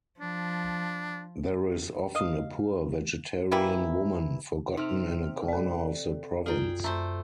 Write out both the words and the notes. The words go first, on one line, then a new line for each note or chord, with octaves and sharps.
There is often a poor vegetarian woman forgotten in a corner of the province ...
F3 D4
D#5 F5
E3 G3 A#3 E4
C3 D#4 F6 F7
A4 D5
F#2 F4 G#4 G5
F#2 A3 C5